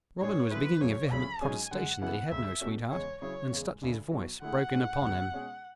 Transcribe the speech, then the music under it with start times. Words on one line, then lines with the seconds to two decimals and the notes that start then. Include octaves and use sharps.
Robin was beginning a vehement protestation that he had no sweetheart, when Stuteley's voice broke in upon him.
0.21 A2 G#3 D4 G#4 C#5
0.51 D3 F#3 B3 E4 G#4 B4
0.81 E2 C#3 F#3 C#5
1.11 D2 C#3 F#3 C#4 B5
1.41 G#2 F#3 C#4 G#4 G#5
1.71 F#2 D3 G#3 F#5
2.01 C#3 E3 B3 E4 F#5
2.31 D2 C#3 G#3 E5
2.61 B2 A3 C#4 F#4
2.91 E2 C#3 G#3 C#5
3.21 C#3 F#3 C#4 E4 G#4 C#5
3.52 E2 C#3 G#3
3.82 D2 C#3 G#3 D4
4.11 B2 F#3 B3 F#4
4.41 D3 A3 E4 G#4 F#5
4.72 A2 G#3 C#4
5.01 D2 C#3 F#3 B3
5.32 B2 G#3 C#4 G#4